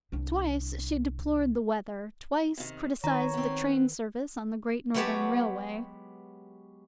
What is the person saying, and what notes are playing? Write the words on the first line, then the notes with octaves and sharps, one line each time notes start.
Twice she deplored the weather, twice criticized the train service on the Great Northern Railway.
C2 D4
C3 D#3
D#3 B4 C#5 A#5
B3 C4
F#3 G#3 B3 G4 C#5 A5